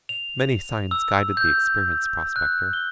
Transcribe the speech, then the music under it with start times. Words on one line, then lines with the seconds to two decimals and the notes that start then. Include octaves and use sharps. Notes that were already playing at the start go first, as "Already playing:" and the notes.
Many signs guided the experienced prospector.
0.09 F7
0.91 E6
1.37 G6
2.36 F#6
2.73 G7